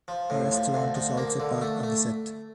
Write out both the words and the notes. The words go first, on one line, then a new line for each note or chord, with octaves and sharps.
A restaurant is also part of the set.
F3
A2
F3
D2
F3
A#3
D3
A3
A3